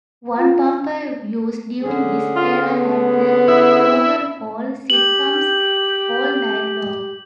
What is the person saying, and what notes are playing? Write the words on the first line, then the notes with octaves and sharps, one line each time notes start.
One bumper used during this era had the slogan "All Sitcoms, All Night Long".
F4
D3 C#4 G#4
F4
B3
E4
G4 F#7